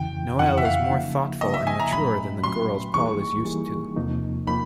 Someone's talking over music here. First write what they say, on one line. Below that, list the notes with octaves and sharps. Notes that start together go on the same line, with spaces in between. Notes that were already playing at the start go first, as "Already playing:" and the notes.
Noel is more thoughtful and mature than the girls Paul is used to.
Already playing: F2 C#3 E3 G5
F2 C#3 E3 F#5
E5
F5
C#3 F3 A#3 D#4
C#3 F3 A#3 D#4 D#5
E5
G#5
A#5
A#2 F#3 A3 C#4 B5
A#2 F#3 A3 C#4 C6
E3 G3 A#3 D#4 G#4 C#6
E3 G3 A#3 D#4 G#4
E2 C3 F3 A#3 D#4
F3 A#3 D#4 B5